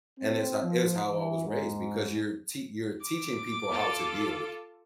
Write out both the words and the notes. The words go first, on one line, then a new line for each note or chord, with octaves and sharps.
And it's ho it's how I was raised because you're tea you're teaching people how to deal with you.
C4
F3
E3
G#2
D6
F4 A4